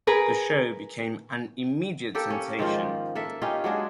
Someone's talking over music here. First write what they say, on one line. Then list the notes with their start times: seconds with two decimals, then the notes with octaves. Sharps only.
The show became an immediate sensation.
0.07 G#4 A#4 B4
2.15 A#3 G4 A4 G5
2.30 C#4
2.59 G#2 D#3 F3 F4
3.15 A#3 A4 E5
3.42 C#4 D#4 F4 G4
3.64 F#3 G#3 D4 G#4